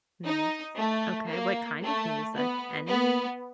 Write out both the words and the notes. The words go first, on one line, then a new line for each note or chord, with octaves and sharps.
Nice. Okay, what kind of music? Any?
D#4
A3
A#3
A3
B3
B3